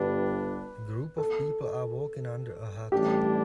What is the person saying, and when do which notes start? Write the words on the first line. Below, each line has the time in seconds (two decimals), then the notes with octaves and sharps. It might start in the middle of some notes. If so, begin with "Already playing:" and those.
A group of people are walking under a hut.
Already playing: G1 G2 G3 D4 B4
1.18 A4
2.92 A1 A2 G3 D4 G4